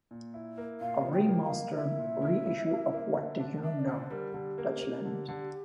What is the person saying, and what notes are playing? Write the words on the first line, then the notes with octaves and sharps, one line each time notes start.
A remastered reissue of What Do You Know, Deutschland?
A#2
E4
A#3
A#2 F5
F3
G5
A#3
F5
A#3
E4 E5
A#2
E4
E4
A#3
A#3
D3
D4
D4 E5
D5
D3 C5
G3 A#4
D3 G4
A#3
A#3
D3
D3